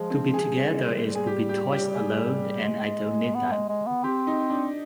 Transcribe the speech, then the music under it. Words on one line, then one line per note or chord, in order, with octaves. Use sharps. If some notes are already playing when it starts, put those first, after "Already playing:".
To be together is to be twice alone and I don't need that.
Already playing: F3 G#3
C4
G#4
G3
G#4
G4
G4
G4
G#4
G#3
B3
G#3
G#3
B3
C4 G4
D#4
D4